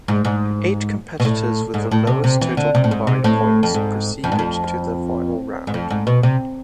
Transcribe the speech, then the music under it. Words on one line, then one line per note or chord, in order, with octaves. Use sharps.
Eight competitors with the lowest total combined points proceeded to the final round.
G#2
G#2
B2
A2
G#2
A2
C3
C3
E3
D3
C3
A2
G#2
C3
A2
F2
G#2
F2
G#2
F2
G#2
F2
G#2
B2
C3